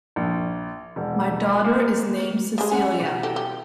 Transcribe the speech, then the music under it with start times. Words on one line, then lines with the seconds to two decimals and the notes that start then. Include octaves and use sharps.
My daughter is named Cecilia.
0.16 A#1
0.96 E1
1.64 A#3
2.58 G3 G#3 G#4
2.72 C#4 F#5 G#5
3.00 B2
3.23 E4 G4 A4
3.36 G4